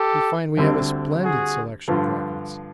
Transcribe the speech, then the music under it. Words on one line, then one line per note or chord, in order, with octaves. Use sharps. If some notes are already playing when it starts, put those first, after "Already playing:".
We find we have a splendid selection of records.
Already playing: G4 A4
D2 D3 G3 C4
F#4 G#4
G2 D3 F3